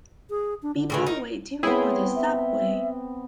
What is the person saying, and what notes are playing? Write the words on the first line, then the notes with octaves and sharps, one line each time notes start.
People waiting for the subway.
G#4
D4
D3
A2 C#3 E3
D#4 A#4
B3 C4 E4 G#4 C#5 G5
E5